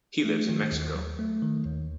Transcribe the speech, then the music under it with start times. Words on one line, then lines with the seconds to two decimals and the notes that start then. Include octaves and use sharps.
He lives in Mexico.
0.25 A3
0.49 D#3
0.72 D#2
0.95 F#3
1.19 A3
1.42 D#3
1.65 D#2